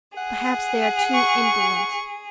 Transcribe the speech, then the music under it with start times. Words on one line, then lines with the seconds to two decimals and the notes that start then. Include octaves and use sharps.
Perhaps they are too indolent.
0.17 G#4 F#5
1.14 C#6